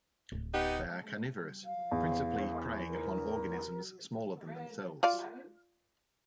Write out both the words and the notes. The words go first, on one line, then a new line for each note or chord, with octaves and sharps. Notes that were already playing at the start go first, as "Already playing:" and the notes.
They are carnivorous, principally preying upon organisms smaller than themselves.
D1
B3 D#4 G4
F5
E2
A#4
F4 D5 F5